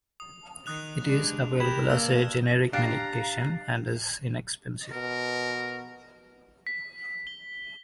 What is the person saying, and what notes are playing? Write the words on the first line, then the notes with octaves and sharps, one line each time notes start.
It is available as a generic medication and is inexpensive.
D#6
D#3 D#6 F#6 F7
G3 G#3 D4
G4 A#4 B5 G#6 E7
G2 A#3 E6 F6
D4 G4 F5 A#5 F#6 A6 C7
B2 A#4
B6
G7